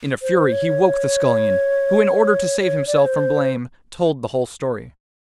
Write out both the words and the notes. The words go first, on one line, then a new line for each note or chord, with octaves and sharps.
In a fury he woke the Scullion, who in order to save himself from blame told the whole story.
C5
C#5
C#5
D5
C#5
C5